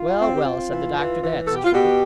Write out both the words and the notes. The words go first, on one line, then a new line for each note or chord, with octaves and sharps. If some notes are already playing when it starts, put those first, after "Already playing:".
'Well, well,' said the Doctor, 'that's true.
Already playing: F4
C4
G4
C4 F4
E3
E3
E3
B2 A4
G4
F4
B2 G4